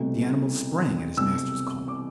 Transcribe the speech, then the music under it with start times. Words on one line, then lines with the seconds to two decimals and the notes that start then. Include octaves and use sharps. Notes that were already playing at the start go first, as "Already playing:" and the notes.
The animal sprang at his master's call.
Already playing: C2 B2 A3
1.17 C2 B2 A3 C4 E6
1.88 D6